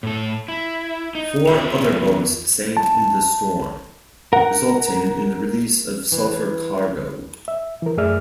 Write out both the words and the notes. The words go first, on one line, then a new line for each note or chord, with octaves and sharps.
Four other boats sank in the storm, resulting in the release of sulphur cargo.
A2 A4
E4
D#4
E2 F4 E5 A#5
A5
A#4 F#5
E3
E5
E3 A#4
F#2 A3 G#4 D5 E5 F6